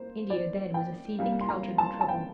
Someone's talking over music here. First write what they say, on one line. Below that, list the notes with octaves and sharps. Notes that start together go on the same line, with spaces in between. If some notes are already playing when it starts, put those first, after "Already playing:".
India then was a seething caldron of trouble.
Already playing: A#3 C5
D5
G5
C3 G3 A#3 F5
C6
A#5
A5
A5
G5